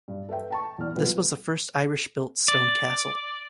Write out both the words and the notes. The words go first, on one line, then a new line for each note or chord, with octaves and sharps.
This was the first Irish built stone castle.
G2
A4 B4 E5 G5
G5 A5 C#6
E2 D5 F6
B1 G3 F4 B4
D5